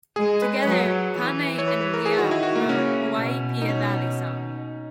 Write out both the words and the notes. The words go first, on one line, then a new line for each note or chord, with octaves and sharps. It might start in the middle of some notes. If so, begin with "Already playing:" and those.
Together, Kamae and Li'a wrote "Hawaii Pia Valley Song".
G#3 G#4
B4
C#5
F#3 B4
E3
C#5
B4
B4
A#4
G#4
D#3 F#4
E4
F#4
A#3
C#3 C#4
B2
D#4
C#4